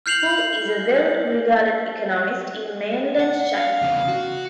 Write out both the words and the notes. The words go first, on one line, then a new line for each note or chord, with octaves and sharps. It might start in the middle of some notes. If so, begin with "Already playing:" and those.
Hu is a well-regarded economist in mainland China.
F6 G6 C7 F7 F#7
F#5
F5
E2 C#3
F#4